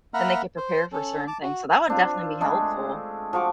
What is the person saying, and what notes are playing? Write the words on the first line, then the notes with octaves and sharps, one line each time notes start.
then they could prepare for certain things, so that would definitely be helpful.
A#3 E5 F#5 A#5 B5 F6
C5
C#4 A4
A5 D6
F#4
C4 D4 F4
G#3 A3 D4
F3 F#4 C#6 D6